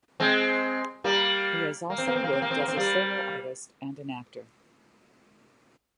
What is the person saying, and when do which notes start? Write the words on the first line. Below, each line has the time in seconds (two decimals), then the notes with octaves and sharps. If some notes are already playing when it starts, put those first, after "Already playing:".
He has also worked as a solo artist and an actor.
0.20 G#3 C4
1.04 G3 A#3
1.90 A#3
1.98 C4
2.07 A#3
2.16 C4
2.24 A#3
2.33 C4
2.42 A#3
2.51 C4
2.60 A#3
2.68 C4
2.77 G3 A#3